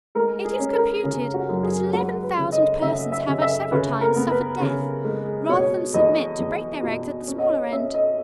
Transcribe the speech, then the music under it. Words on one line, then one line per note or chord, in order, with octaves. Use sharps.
It is computed that eleven thousand persons have at several times suffered death, rather than submit to break their eggs at the smaller end.
G#3 A#4
G#4
C#4
A#4
C#3 G#4
F#4
F#2
G#4
G#3 F#4
B4
C#3
D#5
C#3 E5
E5
C#3
E5
C#3 B4
A#4
B3
B4
C#3
G#3
B2 C#5
E2 D#5
E2
B2
C#4 C#5
D#5
C#5
C#4 E5
D#5